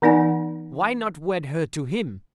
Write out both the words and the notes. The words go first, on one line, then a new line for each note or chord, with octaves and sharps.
Why not wed her to him?
E3 B3 D#4 D5 F#5 G#5